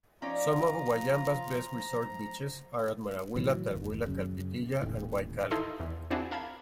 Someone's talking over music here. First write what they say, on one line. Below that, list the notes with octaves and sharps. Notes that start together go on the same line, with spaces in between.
Some of Wayamba's best resort beaches are at Marawila, Talwila, Kalpitiya and Waikkal.
F3 C#4 D#4 F4 D5 A#5
A2 D#3 E3 F#3
F#1 D#2
F#2 C#3
D#1 A1 D#2 A2
D#4 E4 A4 D#5 F5 C6
E2
C4 D4 E4 F#4 G#4
A#4 F5 A5 B5 G#6